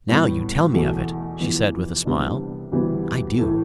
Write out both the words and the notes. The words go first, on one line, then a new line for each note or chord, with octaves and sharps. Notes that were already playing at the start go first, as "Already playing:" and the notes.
"Now you tell me of it," she said with a smile, "I do."
A2 G3 B3
E2 B2 A3
F1 F2 E3 B3
C2 C3 E3 B3 D4
D2 C3 E3 G3 B3
A2 E3 A3